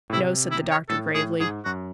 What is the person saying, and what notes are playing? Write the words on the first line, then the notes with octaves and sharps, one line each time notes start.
"No," said the doctor gravely.
A2
C3 E4
E4
C#5
A2 A4
A2 G#4
G#2 G#4
F#2 F#4